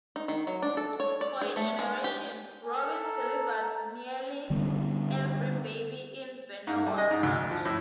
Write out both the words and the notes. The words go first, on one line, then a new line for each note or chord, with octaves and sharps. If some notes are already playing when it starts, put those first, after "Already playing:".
For a generation, Robins delivered nearly every baby in Benewah County.
D#4
D#3
F#3
D4
A4
C#5
D5
G#4
A3
G#3
G4
A4 G#5
A#5
D3 G3 B3 C#4
G#2
G3
D#5
G#2
D2
F3
A2